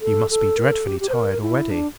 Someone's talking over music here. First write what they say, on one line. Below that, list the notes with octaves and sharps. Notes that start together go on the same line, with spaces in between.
'You must be dreadfully tired already.'
A4
A4
A#4
A4
G4
G4
C5
A#4
E4
D4